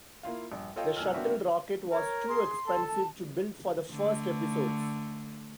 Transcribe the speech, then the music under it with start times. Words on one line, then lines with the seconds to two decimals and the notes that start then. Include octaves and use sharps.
The shuttle rocket was too expensive to build for the first episodes.
0.23 A#3 E4 F4 F5
0.52 A#1 G2
0.76 F4 A4 C#5 D#5 F5 G5
0.97 C2 G2 G#5 E6 F6
1.13 A#3 C4 D4 F#4 B4 E5
1.92 A#4 C#5
2.28 G#4 C6
2.67 A4 A5
3.90 D3 A3